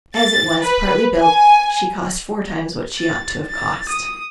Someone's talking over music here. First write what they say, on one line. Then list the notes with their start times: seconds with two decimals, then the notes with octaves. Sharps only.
As it was, partly built, she cost four times what she ought to have cost.
0.16 A6
0.61 B4
1.18 G#5
2.99 A6
3.50 A6
3.89 D#6